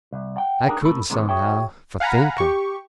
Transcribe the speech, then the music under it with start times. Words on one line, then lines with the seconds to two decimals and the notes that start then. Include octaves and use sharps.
I couldn't, somehow, for thinking.
0.12 C2
0.37 F#5 G5
0.68 D4 D#4 G4 G#4 A#4
0.81 A2 A4 A#4 B5
1.10 C3 D#3 E3 G#3 B3 C#4
1.29 F#4 G#4 C#5 E5 G5
2.00 F5 F#5 G#5 A#5 B5
2.38 G4 C#6